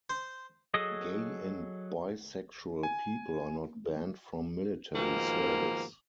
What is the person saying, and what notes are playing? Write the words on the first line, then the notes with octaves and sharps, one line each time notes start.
Gay and bisexual people are not banned from military service.
C5
F#3 G#4 A4 D#5 D#6
G#5
G#2 B2 D#3 F3 A#3